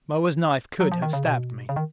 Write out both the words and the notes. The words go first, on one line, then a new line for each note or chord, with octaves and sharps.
Moa's knife could have stabbed me.
F#3
F3
D#3
C#3
B2
C#3
D#3